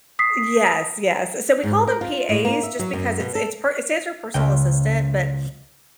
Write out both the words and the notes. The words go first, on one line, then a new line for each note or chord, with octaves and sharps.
Yes, yes. So we call them PAs, just because it's it's per It says your personal assistant, but
D#6 B6 C7
G#2
A#4
F4
A2
A#3
E5
F#3
F#2
B2
A4
C#2 G5